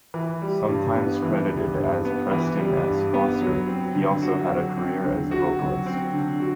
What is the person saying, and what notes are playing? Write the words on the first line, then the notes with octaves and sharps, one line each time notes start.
Sometimes credited as Preston S. Foster, he also had a career as a vocalist.
E3
G3
G2
B3
E3
G3
G2
B3
E3
G3
G2
B3
F#3
C4
D3
F#4
F#3
C4
D3
F#4
F#3
C4
D3
F#4